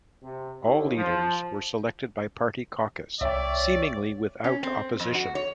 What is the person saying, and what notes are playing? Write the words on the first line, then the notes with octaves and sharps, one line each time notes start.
All leaders were selected by party caucus, seemingly without opposition.
C3
D#2
F3
C2 C#5 D5 E5 G5
C#4
C4
F2
F#4
C#5